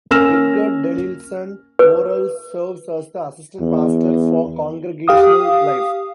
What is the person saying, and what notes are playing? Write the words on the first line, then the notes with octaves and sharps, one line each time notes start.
Edgard Danielsen-Morales serves as the Assistant Pastor for Congregational Life.
A#3 C#4 E6 F6 A#6 E7
B4
E2
G4 F5 D#6